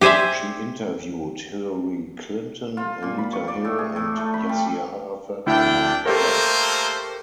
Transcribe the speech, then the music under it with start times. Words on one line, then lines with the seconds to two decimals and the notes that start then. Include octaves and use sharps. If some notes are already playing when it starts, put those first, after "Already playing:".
She interviewed Hillary Clinton, Anita Hill and Yasser Arafat, among others.
0.01 G4 G#4 C5 D5 E5
2.77 F4
3.02 A#2
3.18 B5
3.33 C#6
3.48 D5
3.65 A2
3.79 G#4
3.96 A2
4.17 A3
4.34 B5
4.49 G3
5.46 D2 D4 E4 G5
6.05 A3 A#3 G4 A4 A#4 C5